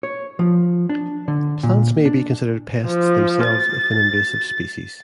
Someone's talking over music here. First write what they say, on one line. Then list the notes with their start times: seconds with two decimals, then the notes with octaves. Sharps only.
Plants may be considered pests themselves if an invasive species.
0.03 C#5
0.39 F3
0.89 D4
1.28 D3
1.63 A#2
2.05 D4
2.87 F3
3.43 A6